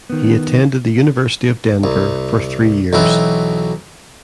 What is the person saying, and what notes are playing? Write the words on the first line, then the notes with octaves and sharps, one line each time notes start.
He attended the University of Denver for three years.
D#3 B3
C2
B1 B2 E3 C4